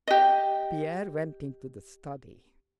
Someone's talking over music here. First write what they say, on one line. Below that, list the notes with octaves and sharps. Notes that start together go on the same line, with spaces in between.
Pierre went into the study.
G4 D#5